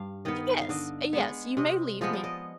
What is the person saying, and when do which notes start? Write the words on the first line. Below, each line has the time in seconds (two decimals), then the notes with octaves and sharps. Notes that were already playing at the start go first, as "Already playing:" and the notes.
"Yes, yes, you may leave me."
Already playing: G2 F5
0.25 D#3 B3 D#5
0.61 F5
0.69 D3 D#5
1.13 G#3 B3
1.57 C3 D#5
2.01 F3 G#3 B3 D#5
2.13 D5
2.24 D#5